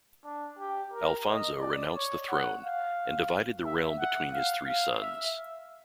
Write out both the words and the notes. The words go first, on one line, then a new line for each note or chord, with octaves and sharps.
Alfonso renounced the throne and divided the realm between his three sons.
D4
G4
A#4
D#5
D5
C#5
F#5
F5
E5
F#5
F5
F5
E5